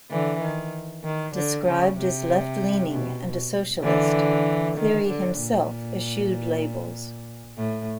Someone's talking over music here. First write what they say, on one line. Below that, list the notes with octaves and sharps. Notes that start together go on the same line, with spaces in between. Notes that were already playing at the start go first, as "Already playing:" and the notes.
Described as left-leaning and a socialist, Cleary himself eschewed labels.
D3 E3
D#3
D#3
D3
C#3
C3
B2
D3 E3
D#3
D3
A#2
A2